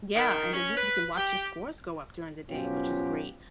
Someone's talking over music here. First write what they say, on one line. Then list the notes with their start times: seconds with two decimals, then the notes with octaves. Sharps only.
Yeah, and then you you can watch your scores go up during the day, which is great,
0.15 D#3
0.53 C#4
0.77 B4
1.17 G4
2.50 B2 F3 F#3 C#4 F4 G4